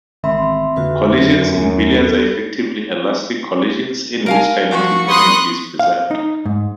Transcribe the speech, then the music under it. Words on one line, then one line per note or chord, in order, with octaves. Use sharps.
Collisions in billiards are effectively elastic collisions, in which kinetic energy is preserved.
A1 D#3 G#3 C4 E5 B5 C6
F2 D3 A#3 F4 F#4 B4
F#2
D#2 G#5
B3 A4
A#4 F5 G#5
F3 F#4 C#6
B5 C6 D#6 F#6
F5
D#4
G#2